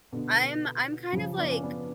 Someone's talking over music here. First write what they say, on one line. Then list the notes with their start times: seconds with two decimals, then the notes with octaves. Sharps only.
I'm I'm kind of, like,
0.12 B2 D3
1.12 C#3 F3
1.37 B3 D4
1.51 C#4
1.62 B3 D4